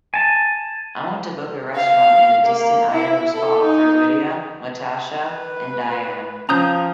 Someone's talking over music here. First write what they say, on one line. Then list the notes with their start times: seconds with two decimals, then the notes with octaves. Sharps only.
I want to book a restaurant in a distant Idaho spa for lidia, latasha and diann.
0.14 G#5 A5
1.75 F5
2.45 A#3
2.91 E4
3.34 A4
3.64 D#4
5.25 B4
6.49 F3 C#4 A#5 D#6 G6